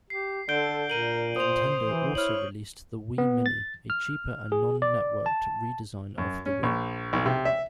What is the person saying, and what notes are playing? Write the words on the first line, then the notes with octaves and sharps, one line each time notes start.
Nintendo also released the Wii Mini, a cheaper and non-networked redesign of the Wii.
G4 C7
D3 A4 G6 D7 G7
A#2 A#4 D7 D#7 F#7
C5 D#6 F7
E3
E4 C#5 F6 F#7
B3
A6
F6
G#4
D5
A5
F#2
C#4
A#1
B1
C3
E5